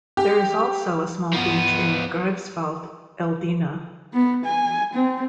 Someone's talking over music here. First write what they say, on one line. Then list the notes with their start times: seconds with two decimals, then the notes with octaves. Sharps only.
There is also a small beach in Greifswald-Eldena.
0.17 G4
1.34 F3 B3
4.14 B3
4.45 G#5
4.94 C4